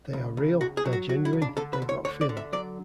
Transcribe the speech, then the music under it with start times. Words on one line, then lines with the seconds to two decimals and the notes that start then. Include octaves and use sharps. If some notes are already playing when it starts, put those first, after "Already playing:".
They are real, they're genuine, they got feeling.
0.13 C#2
0.37 C#2
0.61 C#2 F#4
0.77 G#4
0.85 F#3
0.93 F#4
1.09 F#3 F#4
1.25 E4
1.33 C#2
1.42 D4
1.57 D3 A4
1.73 B4
1.82 D2
1.89 C#5
2.05 D3 C#5
2.21 D5
2.29 D3
2.37 E5
2.53 F#3 D5